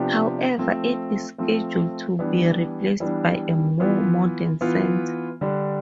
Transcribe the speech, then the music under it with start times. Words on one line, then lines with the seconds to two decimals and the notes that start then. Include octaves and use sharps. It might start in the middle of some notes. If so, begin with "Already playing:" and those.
However, it is scheduled to be replaced by a more modern center.
Already playing: C3 F3 B3 D4 G4
0.58 F3 A3 C4
1.38 F3 A3 C4
2.19 E3 G3 B3 D4
3.00 E3 G3 B3 D4
3.80 E3 B3 F4
4.61 E3 B3 F4
5.41 D3 G3 D4